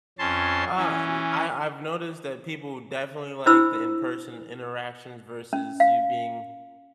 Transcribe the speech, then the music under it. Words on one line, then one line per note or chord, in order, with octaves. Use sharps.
Uh, n I I've noticed that people definitely like the in-person interactions versus you being
F2 C#4 A5 C6
E3 C#4
D4 E4 C5 B5 E6
C#4
F5